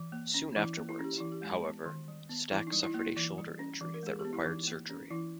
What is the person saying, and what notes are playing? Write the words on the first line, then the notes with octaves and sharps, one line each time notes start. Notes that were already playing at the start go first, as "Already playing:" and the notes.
Soon afterwards, however, Stack suffered a shoulder injury that required surgery.
Already playing: E3
A#3
C#4
E3 E4
A#3
E4
C#4
G4
E3 E4
G4
G#3
B3
D#3
G3
B3
E3 E4
D#4
G3
E4
A#3 E4
E3
G3
C#4
E3
A#4
G#3 G#4
G4
B3
E4
E3 D#4
A#3
C#4
E3 E4